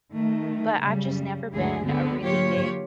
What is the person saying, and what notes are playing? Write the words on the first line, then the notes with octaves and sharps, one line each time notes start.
But I've just never been a really big
D#3 A3
F#2 C#3 F#3 G3
D2 G2 D3 E3 G#3 G#4
D3 G#3 B3 C4
D3 F#3 A#3 F4 G4 C#5